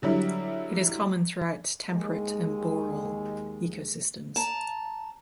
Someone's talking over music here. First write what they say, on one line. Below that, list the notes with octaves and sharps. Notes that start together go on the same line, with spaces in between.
It is common throughout temperate and boreal ecosystems.
D3 F#3 G3 E4
D#2 G#3
A5 A#5